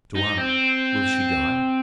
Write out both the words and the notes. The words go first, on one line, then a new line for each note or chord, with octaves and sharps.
"Tuan, will she die?"
D#4
C4